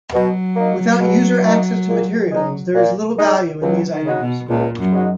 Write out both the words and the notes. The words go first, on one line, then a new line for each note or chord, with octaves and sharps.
Without user access to materials, there is little value in these items.
B2 F#3
A#3 D#4
B2
A#3 D#4
A#2
G#3 D#4
A#2
G#3 D#4
C#2 F#3
D#3
C#3 G#3 D#4 F#4
B2
C#2 A#2
F#2
C#3 G#3 D#4 F#4